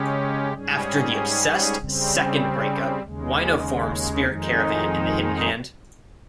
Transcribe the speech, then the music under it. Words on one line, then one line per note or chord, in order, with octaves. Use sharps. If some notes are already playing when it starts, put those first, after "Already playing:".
After The Obsessed second break up, Wino formed Spirit Caravan and The Hidden Hand.
Already playing: C#3 G#3 C#4 G4
G#2 G3 C#4 G#4
C#3 G3 C4
D#2 C#3 G#3
F2 D#3 G#3 D#4